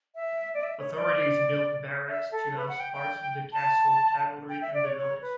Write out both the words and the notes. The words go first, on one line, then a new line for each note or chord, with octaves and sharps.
Authorities built barracks to house parts of the castle cavalry in the village.
E5
D5
E5
C#5
D5
E5
A4
B4
F#5
G5
G5
A5
G5
E5
D5
C#5
C#5
B4